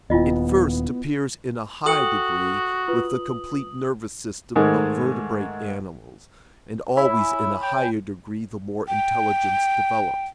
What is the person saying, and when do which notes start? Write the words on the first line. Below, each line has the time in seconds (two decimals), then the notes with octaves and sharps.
It first appears in a high degree with the complete nervous system of vertebrate animals, and always in a higher degree the more intelligence develops.
0.10 D#1 D#2 B3 E4 F4 D#5
1.86 F#4 A4 G5 D#6 C#7 F#7
2.88 F4 B4
4.56 G#2 D#3 G#3 A3
6.97 E4 C#5 G#5 B5
7.63 G5
8.88 G5